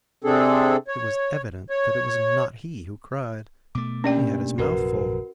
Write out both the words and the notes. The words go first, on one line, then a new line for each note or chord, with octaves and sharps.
It was evident that it was not he who cried. He had his mouth full.
C3 C4 D4 G#4 A4
C#5
C#5
B2 A3 D6
A#3 C#4 D4 G4 D5 G5
A#1 F#2 C3 F#4 A#4 B4